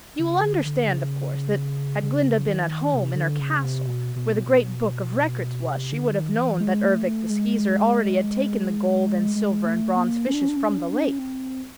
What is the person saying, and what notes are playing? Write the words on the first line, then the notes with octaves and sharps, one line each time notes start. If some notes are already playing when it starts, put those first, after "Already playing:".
You will understand, of course, that had Glinda been at home in her castle, where the Great Book of Records was, she would have known that Ervic the Skeezer already had taken the gold and silver and bronze fishes from the lake.
C#3
D3
D3
C#3
C#3
D#3
C3
D3
C#3
C3
B2
B2
B2
C3
D3
D#3
E3
G#3
A3
A3
G#3
G#3
A3
A#3
C#4
D4
C#4
D4
C#4
D4
C#4
D4
C#4
D4
C#4
C4